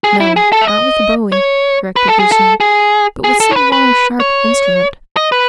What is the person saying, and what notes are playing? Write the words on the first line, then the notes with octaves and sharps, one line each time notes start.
"No, not with a bowie," corrected Lucian, "but with some long, sharp instrument."
G#4
E4
G#4
A4
E5
D#5
C#5
B4
A4
G#4
A4
G#4
G#4
A4
C#5
B4
B4
C#5
D#5
B4